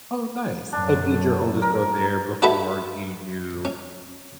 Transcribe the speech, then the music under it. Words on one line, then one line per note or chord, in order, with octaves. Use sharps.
Oh, nice, and did your oldest go there before you knew
F#2 D4
A#4
D4 F#4 A4 B4 E5 B5
C#4